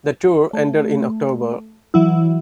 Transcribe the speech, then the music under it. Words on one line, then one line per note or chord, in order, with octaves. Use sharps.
The tour ended in October.
A3
E3 F#3 E4